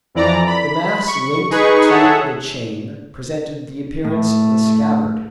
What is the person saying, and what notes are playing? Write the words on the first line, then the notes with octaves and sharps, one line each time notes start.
The mass linked to the chain presented the appearance of a scabbard.
F2 E3 D5 A#5
B5
C#6
D#4 G#4 B4 C#6
G#4 A4 C#5 E5 F#5
A2 A3